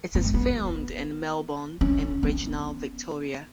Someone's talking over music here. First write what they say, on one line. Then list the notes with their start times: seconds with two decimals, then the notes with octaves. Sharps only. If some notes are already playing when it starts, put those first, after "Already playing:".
It is filmed in Melbourne and regional Victoria.
0.15 B3
0.24 A3
0.34 B3
1.81 C#4
2.23 B3